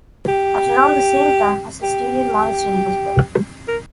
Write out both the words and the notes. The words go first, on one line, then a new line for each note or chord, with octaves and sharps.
At around the same time a Cistercian monastery was built.
G4
G4
A#4